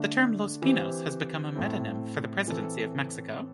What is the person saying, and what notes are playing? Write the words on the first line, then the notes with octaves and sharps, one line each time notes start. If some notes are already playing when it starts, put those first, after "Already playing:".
The term "Los Pinos" has become a metonym for the Presidency of Mexico.
Already playing: D3 A3 D4
E3 C4 G4 C5
A2 A3 C4 E4
E3 C4 A4